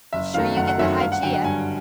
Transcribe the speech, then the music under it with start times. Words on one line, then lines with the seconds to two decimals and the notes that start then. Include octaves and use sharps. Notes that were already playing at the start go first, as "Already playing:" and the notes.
Be sure you get the Hygeia.
0.13 F#1 E5
0.34 F#2 D#3 F#3 A3 F5
0.56 F#1 F#5
0.68 F#5
0.78 F#2 D#3 F#3 A3 E5
1.00 G2 F5
1.12 F#5
1.23 D3 F#3 G5
1.33 F#5
1.44 G2 G#5